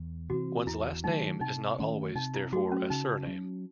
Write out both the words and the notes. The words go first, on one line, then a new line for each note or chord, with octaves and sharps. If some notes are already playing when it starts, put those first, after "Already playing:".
One's last name is not always, therefore, a surname.
Already playing: E2
C3 E3 C4 F#4
E2 E4
D#3 F#3 A3 D#4
C3 D#4
D#3 A3 C#4
C3 D#4
E4
F#3 A3 F#4
C#4
C#3 D#4
F#3 C#4